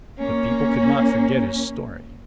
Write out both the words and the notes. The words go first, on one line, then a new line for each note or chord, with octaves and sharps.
But people could not forget his story.
A#3 C#4